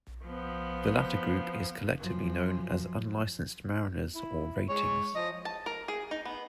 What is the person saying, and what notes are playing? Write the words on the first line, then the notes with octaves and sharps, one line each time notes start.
The latter group is collectively known as unlicensed mariners or ratings.
F3 B3
F#2 F3
E4
G#3 C#5
F3 D#5
A5
A#4
G#4
D#4
B3